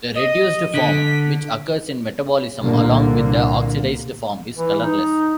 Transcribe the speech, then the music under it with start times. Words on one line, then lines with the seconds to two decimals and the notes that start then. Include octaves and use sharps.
The reduced form, which occurs in metabolism along with the oxidized form, is colorless.
0.14 D#5
0.74 D3 B6
2.61 C2 A#2 D3 A#3
4.56 E3
4.81 D#4